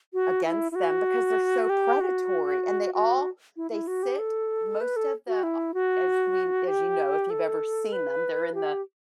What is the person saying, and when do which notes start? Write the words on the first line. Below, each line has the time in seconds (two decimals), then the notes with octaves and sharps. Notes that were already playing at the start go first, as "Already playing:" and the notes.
against them because they're so predatory. And they all they sit most of the, uh, as we as you know, if you've ever seen them, they're in the
0.13 F#4
0.44 E4
0.72 E4
0.75 F#4
1.69 G4
2.00 F#4
2.94 F#4
3.57 E4
3.71 E4
3.87 F#4
4.03 G4
4.18 A4
4.81 B4
4.96 A4
5.27 F#4
5.43 E4
5.74 F#4
6.68 G4
7.30 A4
7.92 B4
8.54 G4